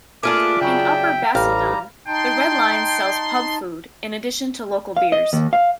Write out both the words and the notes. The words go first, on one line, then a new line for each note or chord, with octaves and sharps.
In Upper Basildon, the Red Lion sells pub food in addition to local beers.
A3 A#3 D4 F4 G#4 A4 E5 D6
C#3 F#3 G5
A1 G3 F5 A#5
D#4 G5 A5 C6
F5
D#5
D#2
F5